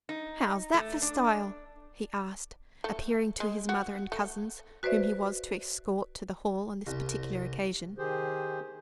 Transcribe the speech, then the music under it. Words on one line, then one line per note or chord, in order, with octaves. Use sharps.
'How's that for style?' he asked, appearing to his mother and cousins whom he was to escort to the hall on this particular occasion.
D#4
A3
D4
A3
G#3
F#4
A3
F#4 B4 C5 D5 E5
C2
D#3 G4 G#4 C5